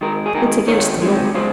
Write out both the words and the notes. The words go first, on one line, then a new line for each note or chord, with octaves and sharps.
"It's against the Law."
D#3 G#3 A#4
G#4
D#3 G#3 A#4
D#3 G#3 C#5
D#3 G#3
C#3 G#3 C5